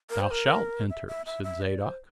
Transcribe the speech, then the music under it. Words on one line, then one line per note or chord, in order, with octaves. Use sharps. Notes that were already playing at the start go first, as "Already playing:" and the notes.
"Thou shalt enter," said Zadok.
A#4
C5
A#4
E5
E5
E5
E5
D5
C5